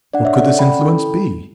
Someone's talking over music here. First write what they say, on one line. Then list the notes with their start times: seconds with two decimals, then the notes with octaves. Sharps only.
What could this influence be?
0.14 D4 D5 F#5
0.25 C#5 E5
0.36 A4 D5 F#5
0.47 D5 F#5
0.59 C#4 G5 B5
0.80 E4 A4